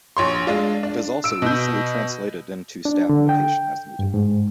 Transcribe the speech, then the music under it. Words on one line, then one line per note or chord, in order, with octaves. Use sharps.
It is also easily translated into staff notation, as needed.
A#1 C#5 C6
G#3 D4 F4
D4
E6 D7
B2 G6
D4
D3
G5
G2
G#2